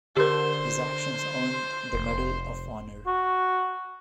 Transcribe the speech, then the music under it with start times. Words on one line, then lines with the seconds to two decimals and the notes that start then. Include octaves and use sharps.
His actions earned the Medal of Honor.
0.17 D3 G4 A#4 C5
1.93 F1
3.07 F#4